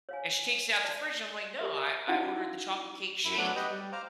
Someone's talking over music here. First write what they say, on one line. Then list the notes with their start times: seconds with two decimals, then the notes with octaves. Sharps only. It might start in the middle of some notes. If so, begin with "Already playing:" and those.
And she takes it out the fridge, and I'm like, "No, I I ordered the chocolate cake shake.
0.09 C#5 F5 G#5
0.84 D5 A5
1.59 G4 A#4 E5
2.07 C#4 D#4 E4 F#4 F5 F#5
3.25 F#2 E4
3.37 F#3 A3 B3 D4
3.56 G4 B4 D#5 F#5 G5
3.70 G3
3.92 C5 F5 A#5 D6